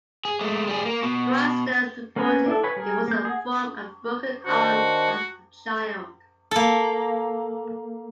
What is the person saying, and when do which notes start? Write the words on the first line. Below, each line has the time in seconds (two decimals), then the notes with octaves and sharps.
Dwight Stones reported it was from a broken arm as a child.
0.25 G#4
0.41 G#3 A3
0.67 G3 G#4
0.85 A#3
1.03 B2
2.16 A#3 C#4 B4 G#5 A#5
2.46 D4 E4 A4
2.63 B4 C#5 G#5 B5
2.76 G3 G#4 A#4
3.08 A#3 G6
3.25 G#4 F#5
4.46 D#3 D4 F#4 C5
6.51 A#3 A4